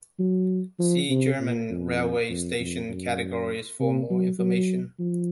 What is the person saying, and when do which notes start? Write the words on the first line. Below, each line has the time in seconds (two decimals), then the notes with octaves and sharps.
See German railway station categories for more information.
0.19 F#3
0.80 F3
1.10 C3
1.39 A#2
1.70 F2
2.30 F2
2.60 F2
2.89 F#2
3.80 C3
4.10 F#3
4.39 F#3
4.99 F3